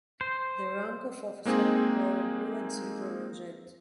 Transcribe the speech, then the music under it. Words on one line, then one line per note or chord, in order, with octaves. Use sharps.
The rank of officer wore a blue and silver rosette.
C5
G#3 A#3 C4 D#4 G#4